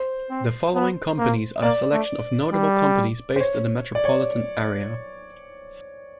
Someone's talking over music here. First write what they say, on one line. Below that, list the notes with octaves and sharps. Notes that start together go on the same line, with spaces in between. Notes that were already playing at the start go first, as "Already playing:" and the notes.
The following companies are a selection of notable companies based in the metropolitan area.
Already playing: C5
C4
B3
A#3
A#3 D5
A3
G3
C5
C#5
D5
C#5